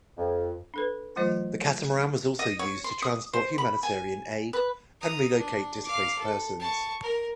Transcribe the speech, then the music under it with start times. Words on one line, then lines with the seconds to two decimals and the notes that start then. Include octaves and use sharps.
The catamaran was also used to transport humanitarian aid, and relocate displaced persons.
0.17 F2
0.74 D4 A4 B4
1.16 E3 F#3 A3 F4 C5 D#5
2.39 D#5
2.59 C#5
2.84 C6
3.02 D#6
3.33 C5
3.58 B5
3.83 G#5
4.53 B4
5.01 A#5 D#6
5.37 D4
5.84 F5 D6
6.19 A4
6.60 A5 C#6
7.03 A#4